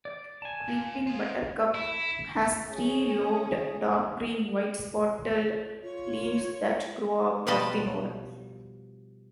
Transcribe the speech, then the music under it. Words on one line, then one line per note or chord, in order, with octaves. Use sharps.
Creeping buttercup has three-lobed dark green, white-spotted leaves that grow out of the node.
D5
G#5 A5
A#2
F4 G#4
E4
C#4 G#4
F4 C#5
B2 F3 G3 B4 D#5 A5